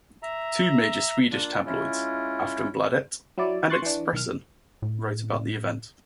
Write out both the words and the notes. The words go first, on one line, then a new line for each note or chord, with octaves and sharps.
Two major Swedish tabloids, "Aftonbladet" and "Expressen", wrote about the event.
E5 A#5
A#3 D4 F4
G#3 C#4 E4 F4
F#3 E4 D5
C6 C#6 F#6 A6
E3 D4
B1 D#3 F6
A2